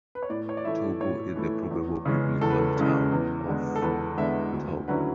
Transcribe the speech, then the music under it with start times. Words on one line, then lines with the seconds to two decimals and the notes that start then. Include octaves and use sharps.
Tubu is the probable biblical town of Tob.
0.15 B4
0.23 C#5
0.30 A2 D5
0.49 C#5
0.57 D5
0.64 E3 A3 E4 E5
1.00 A2 C#5
1.35 E3 A3 E4
1.71 E2
2.05 C#3 E3 G#3 C#4
2.41 E2 A4
2.50 B4
2.59 A4
2.77 C#3 E3 G#3 C#4
3.12 E2
3.47 D3 G#3 B3
3.76 A4
3.82 E2 B4
4.17 D3 G#3 B3 E5
4.53 D2
4.88 D3 F#3 C#4 E4 B4